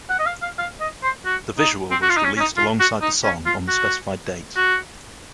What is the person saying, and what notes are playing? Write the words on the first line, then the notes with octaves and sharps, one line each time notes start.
The visual was released alongside the song on the specified date.
F#5
D#5
F5
F5
F5
D#5
C5
F#4
D#4
C4
F#4
F4
D#4
C#4
C#4
D#4
F4
F#4
D#4
C#4
F4
F#4
F#4